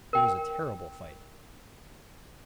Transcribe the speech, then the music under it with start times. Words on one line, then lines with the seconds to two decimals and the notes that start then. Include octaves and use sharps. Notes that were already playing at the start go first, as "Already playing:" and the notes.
It was a terrible fight.
0.13 A#4 G5